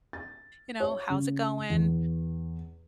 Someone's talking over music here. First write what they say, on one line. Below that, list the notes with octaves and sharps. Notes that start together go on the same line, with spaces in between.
you know, how's it going?"
A6
C#5
C#3
E2